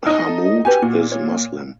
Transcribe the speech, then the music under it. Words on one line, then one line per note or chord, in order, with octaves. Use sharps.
Hammoud is Muslim.
D#4 D#5
A4
F#4 G4 B4 G#5
A#2 F#4
C#5